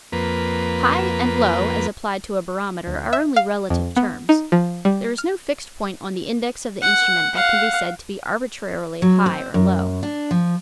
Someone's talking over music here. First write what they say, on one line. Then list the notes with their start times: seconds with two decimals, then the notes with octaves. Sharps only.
"High" and "low" as applied to a barometer are only relative terms. There is no fixed point on the index of the instrument that can be said to be arbitrarily high or low.
0.12 F2 A#3 B4
2.87 D2
3.13 E5
3.36 F5
3.70 F2
3.97 B3
4.29 D#4
4.52 F3
4.85 G3
5.18 F6
6.82 F#5
7.35 F5 F#5
9.02 F#3
9.26 C4
9.54 F#2
10.03 D4
10.31 F3